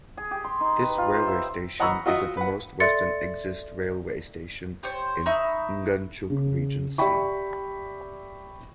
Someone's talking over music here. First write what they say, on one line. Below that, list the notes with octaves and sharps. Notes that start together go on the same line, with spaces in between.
This railway station is at the most western exist railway station in Nganjuk Regency.
G#4
G4
C6
D#4
B4
F4
C5
E5
D#5 F#5 A#5 B5 C#6 E6
F4 F#4 D#5 E5 F#5
B4 F#5
A4 D5 E5 C6 A6 C#7
G4 C5 C#5
D#4 E5 B5 C#6
C#3
G4 D5 E5 G5 B5 C#6